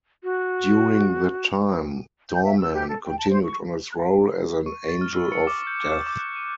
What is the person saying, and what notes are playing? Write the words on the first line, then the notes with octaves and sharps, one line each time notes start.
During that time, Doorman continued on his role as an angel of death.
F#4
G6
E5
E6
G4
A4
G5
A5
C5
C#6
C#6
A6
F6
E6
C#7
D6
G6
E7
D6
F#6
D#7